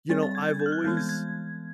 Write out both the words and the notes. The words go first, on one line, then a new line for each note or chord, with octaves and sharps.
you know, I've always
G3 C4 A6
A6
G#6
G#6
G6
F6
F#6
E3 G#3 B3 G6
G#6
G#6